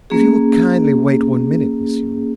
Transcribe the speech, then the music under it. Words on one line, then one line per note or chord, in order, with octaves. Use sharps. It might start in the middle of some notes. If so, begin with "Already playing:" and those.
'If you will kindly wait one minute, Miss Yule.
A#3 C#4 G#4